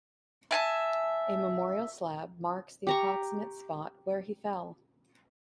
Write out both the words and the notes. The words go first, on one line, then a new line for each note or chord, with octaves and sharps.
A memorial slab marks the approximate spot where he fell.
E5 G#5 A5
G4 A#5 C#6